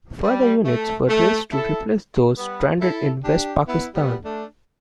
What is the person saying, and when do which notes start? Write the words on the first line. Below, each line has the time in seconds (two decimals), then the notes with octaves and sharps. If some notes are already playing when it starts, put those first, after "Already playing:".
Further units were raised to replace those stranded in West Pakistan.
0.22 G3
0.64 A3
1.08 A3
1.51 E4 A4
2.36 G3 B3
2.79 E4 A4
3.23 D4 G4
3.66 B3 E4
3.94 G3 B3
4.23 A3 D4